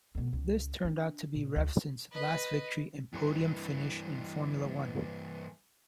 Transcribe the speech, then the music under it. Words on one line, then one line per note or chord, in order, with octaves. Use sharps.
This turned out to be Revson's last victory and podium finish in Formula One.
F2 B2
C#2
D4
A#2
D2
B4 D#5
G2 E3